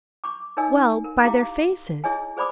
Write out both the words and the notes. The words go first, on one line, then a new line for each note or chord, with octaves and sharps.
'Well, by their faces....'
C#6 D6
D#4 A#4 C#5 D#5 G#5 E6
A#4
E4 G4 F5 A#5 D6
E4 G#4 C#5 D#5 G#5
G#4 C5 D5 B5 D6 D#6